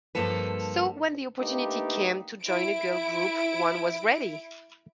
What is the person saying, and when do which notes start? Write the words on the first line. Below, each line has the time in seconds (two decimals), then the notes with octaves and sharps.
So when the opportunity came to join a girl group one was ready!
0.15 G2 F3 A#3 A4 B4
1.40 A3 A#3 D4 D#4 G4 B4
2.44 E4 D7